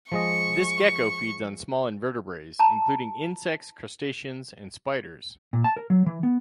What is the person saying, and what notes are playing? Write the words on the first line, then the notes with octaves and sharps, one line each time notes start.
This gecko feeds on small invertebrates, including insects, crustaceans and spiders.
F3 G#3 D#5 C#6
A5 A#5
A#2
A5
A#4
F#3
E3
B3